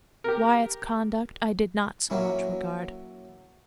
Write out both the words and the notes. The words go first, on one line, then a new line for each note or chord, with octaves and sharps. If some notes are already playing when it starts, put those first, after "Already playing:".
Wyatt's conduct I did not so much regard.
G4 A#4
F#3 A#3 C#4 E4